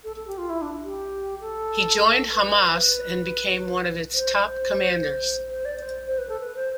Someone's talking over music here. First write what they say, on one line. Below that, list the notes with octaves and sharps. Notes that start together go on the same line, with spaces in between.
He joined Hamas and became one of its top commanders.
A4
A4
G4
F4
E4
D4
G4
A4
B4
C5
C5
C5
D5
C5
C5
B4
A4
B4
C5